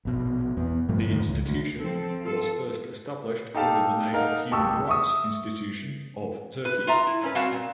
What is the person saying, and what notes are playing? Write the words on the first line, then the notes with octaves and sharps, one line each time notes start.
The institution was first established under the name "Human Rights Institution of Turkey".
A#1 B2
E2 B3
G2 A#2 F3 A3
E2 G#2 D#3
C#2
D2
F3 C4 A4
F4 A4
D#4 G4 A4 F5 A5
D#4 A#4 D#5 F5 F#5
C#2 G4 A5 C#6 D#6 E6
E5 C#6 D#6
B4
F4 E5 A#5
E4
G2 C#4 B4
G3 C4 F#4 F5 A5
A#2